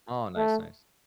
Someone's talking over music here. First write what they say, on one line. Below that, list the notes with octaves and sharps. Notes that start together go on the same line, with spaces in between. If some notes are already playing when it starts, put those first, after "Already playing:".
Oh, nice, nice.
A3